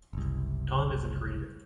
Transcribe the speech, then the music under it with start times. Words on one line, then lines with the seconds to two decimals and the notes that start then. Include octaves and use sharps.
Tom isn't grieving.
0.13 F#1 C2